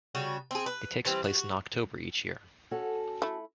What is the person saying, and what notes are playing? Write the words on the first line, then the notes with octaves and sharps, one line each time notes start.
It takes place in October each year.
C#3 G3 F#4
C4 G#4
B4
E3 G3 C4
F#4
C#4 F#4 A4
A3 E4